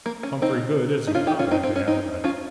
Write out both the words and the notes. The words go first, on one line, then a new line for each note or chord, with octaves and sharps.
Humphrey Goode isn't competent to handle that.
A#3
C#4
C4 D#4
D#4
C#4 F4
D#4 G4
C#4 F4
C4 D#4
C4
C#4
C4 D#4
C#4 F4